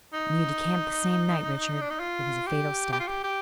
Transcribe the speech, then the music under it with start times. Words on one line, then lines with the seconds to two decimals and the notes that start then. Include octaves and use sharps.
"And you decamped the same night, Richard; it was a fatal step."
0.13 D#4
1.81 D4
1.90 D#4
2.00 F4
2.47 G4
2.93 G4
3.00 F4
3.08 G4
3.24 G4